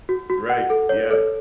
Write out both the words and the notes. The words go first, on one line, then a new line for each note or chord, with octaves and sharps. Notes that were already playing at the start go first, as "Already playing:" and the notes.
Right, yeah.
F#4
F#4
F#5
A4
C#5
A4